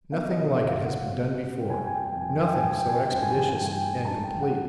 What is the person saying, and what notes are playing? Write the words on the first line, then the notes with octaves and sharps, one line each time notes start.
Nothing like it has been done before; nothing so expeditious and complete.
B3 F5
D#5
B2
E5
C#2
F5
F#3 F#5
B3
B2
G3 G5
G#5
G5
C3 G#5
G5
G#5
F2 G5
G#5
G5
E3 G#5
G5
G#5
G3 G5
G#5
G5
C3 G#5
G5
G#5
G2 G5
G#5
G5
E3 G#5
G5
G#5
G2 G5
A3 G#5
A5
G2
G5
E3
F#5